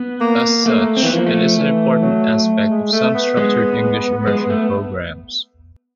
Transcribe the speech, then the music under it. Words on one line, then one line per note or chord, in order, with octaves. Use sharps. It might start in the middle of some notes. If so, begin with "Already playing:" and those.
As such, it is an important aspect of some structured English immersion programs.
Already playing: B3
A#3
A3 A#3
C4
E3 B3
F3 A#3
A3
E3
F#3
G#3
A3
B3
G#3
G#3
A3